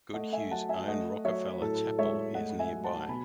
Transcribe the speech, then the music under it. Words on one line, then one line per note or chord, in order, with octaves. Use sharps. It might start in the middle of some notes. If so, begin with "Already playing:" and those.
Goodhue's own Rockefeller Chapel is nearby.
A3 D#5 F#5
E5 G#5
F#3 F#5 A5
E5 G#5
A3 D#5 F#5
F#3 C#5 E5
A2 A4
G#3 C#5 E5
A3 D#5 F#5
E5 G#5
F#3
F#5 A5
B2 G#5 B5